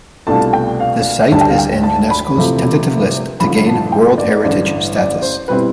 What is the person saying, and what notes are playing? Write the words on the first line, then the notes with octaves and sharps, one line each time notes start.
The site is in Unesco's tentative list to gain World Heritage status.
C2 B2 A3 D4 F4 A5
G5
F5
D2 D3 G3 D4 A5
G5
F5
G5
A5
B5
E2 C3 F3 A3 E4
A1 G2 D3 F3 B5
A5
G5
D5
A1 G2 D3 D5
D5
C5
B2 G3 C4 E4 B4